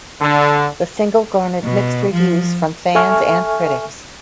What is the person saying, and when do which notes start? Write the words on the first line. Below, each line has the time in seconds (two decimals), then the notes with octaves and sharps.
The single garnered mixed reviews from fans and critics.
0.20 D3
1.63 B2
2.12 F3
2.95 A4 E5 G#5 C#6 F6